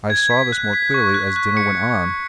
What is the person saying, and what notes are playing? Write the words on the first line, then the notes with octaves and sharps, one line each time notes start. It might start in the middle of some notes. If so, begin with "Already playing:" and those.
I saw this more clearly as dinner went on.
G#6
B6
F#6
B6
C#6
F#6
F#6
C#7